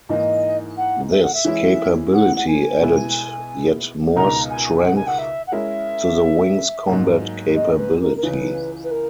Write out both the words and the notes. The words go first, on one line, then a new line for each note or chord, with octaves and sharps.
This capability added yet more strength to the wing's combat capability.
G#2 E3 A#3 D#4 D#5
F#5
E5
F#5
E5
E3 G#3 C#4 E4
F#5
F#5
G#5
B2 G#3 B3 E4
C#2 B2 G#3 D#4 A#4 A#5
G#5
G#5
F#5
G#5
F#5
E5
F#5
G#3 C#4 E4 A#4 E5
G#2 F#3 A#3
D#5
B4
A#4
A#4
C#2 C#3 E3 B4
B4
A#4